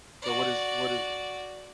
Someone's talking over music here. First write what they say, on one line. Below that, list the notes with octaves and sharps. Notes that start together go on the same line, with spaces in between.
So, what is what is
F#4 D5